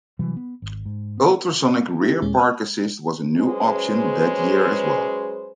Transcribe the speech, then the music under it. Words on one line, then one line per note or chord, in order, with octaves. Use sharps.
Ultrasonic rear park assist was a new option that year as well.
C3 E3 F#3 G3
B3
G#1
G#2
B3
E4 G4
D#2 A#2 G#3 C#4
D#6 F6 F#6
F#3 G#3 C#4 G#4 B4 C5